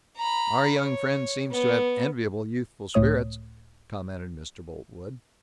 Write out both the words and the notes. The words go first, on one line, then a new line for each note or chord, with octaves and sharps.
"Our young friend seems to have enviable youthful spirits," commented Mr. Boltwood.
A#5 B5
C#5
B3
C#2 A2 A3 C#5 D#6